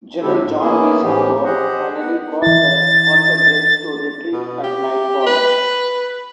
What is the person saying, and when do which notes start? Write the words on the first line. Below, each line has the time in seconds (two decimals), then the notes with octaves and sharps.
General John B. Sanborn finally caused the Confederates to retreat at nightfall.
0.22 D3 G#3 C4 E4 G4 A4
0.43 A2
0.59 A#3 B3 C#4 E4 G#4
1.03 A2 E3 F3 C#4 G4
1.44 G4 G#4 C5 D#5 F#5
1.99 B3 F#5
2.42 E3 E4 A6
4.33 B2
4.63 G4
5.26 B4